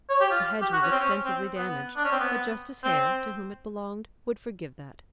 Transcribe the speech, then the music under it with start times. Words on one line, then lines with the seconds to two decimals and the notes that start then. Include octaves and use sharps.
The hedge was extensively damaged, but Justice Hare, to whom it belonged, would forgive that.
0.09 C#5
0.20 G4
0.31 F4
0.61 G4
0.73 F#4
0.83 C#4
0.92 C4
1.00 C#4
1.25 C4
1.57 B3
1.96 D4
2.04 C#4
2.12 C4
2.20 B3
2.84 C4